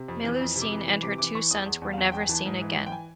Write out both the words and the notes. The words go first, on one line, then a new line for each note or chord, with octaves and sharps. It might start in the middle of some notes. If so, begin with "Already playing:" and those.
Melusine and her two sons were never seen again.
Already playing: C3
F2
E3
F2
C3
D6
E3
E3
C3 D6
E3 D6
E3 C#6
E2 D#6
E2
E2
F5
E2
F#5
E2 G5
G#5
E3 A5
G#2
E3
E3
G5
G#5